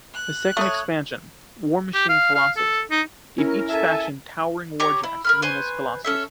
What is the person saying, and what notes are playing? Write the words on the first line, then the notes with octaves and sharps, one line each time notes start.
The second expansion, "Warmachine: Colossals", gave each faction towering warjacks known as Colossals.
F#6
A3 C#5 C#6 D#6
G4
F5
F5
A4
D#4
C#4 E4 A#4
A4 E5 G#5 A5
G4 C#5 A#5 C#6
E4
A#4 B5 F6
B4 C5 G#5 C#6
C#4 A4 E5